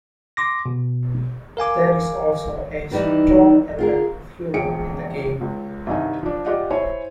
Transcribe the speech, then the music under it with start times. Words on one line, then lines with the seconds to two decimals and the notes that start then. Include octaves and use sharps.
There is also a strong element of humour in the game.
0.37 C6 D6 A#6
0.66 B2
1.57 A#4 F5 G#5 D6
2.91 D#3 E3 G3 D#4
3.79 F4 G#4 A#4
4.54 E1 A#1 G#4 G5 C#7 D7
5.41 C#2
5.87 C2 G2 D#3 D#4 G#5
6.23 F3 D4
6.46 F4 G4 D5 D#5 F#5
6.71 E4 C5 C#5 G#5